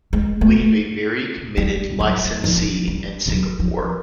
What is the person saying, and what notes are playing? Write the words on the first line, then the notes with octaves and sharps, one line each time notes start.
We have a very committed licensee in Singapore.
G#3
A3
G3
F#3
F3
G3
F#3
F3